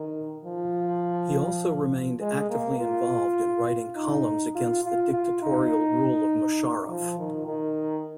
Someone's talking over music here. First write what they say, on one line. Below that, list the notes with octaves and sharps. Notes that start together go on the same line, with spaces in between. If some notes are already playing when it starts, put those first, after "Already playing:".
He also remained actively involved in writing columns against the dictatorial rule of Musharraf.
Already playing: D#3
F3
G#3
A#3
F4
D#4
F4
F4
F4
D#4
F3
D#3
D#3